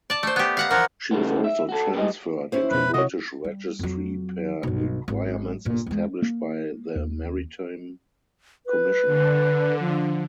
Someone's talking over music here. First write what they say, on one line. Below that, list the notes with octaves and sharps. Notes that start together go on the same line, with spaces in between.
She was also transferred into British registry per requirements established by the Maritime Commission.
D5 A5
A3 C5
B3 G4
F5 F#5 A#5
E3 F3 A#4 F#5
C#3 E3 F#3 G3 A3 B3
E5
F#4 A4
G3 B3 G4 G#4 D#5
C#4 E4 C5
F2 B2 B4
C3 F#4 C#5 D#5
G3
F2 F#3
B1 G2
G#1
G1 A#2
E2 G#3
A#3
D#2
B4
D3
F3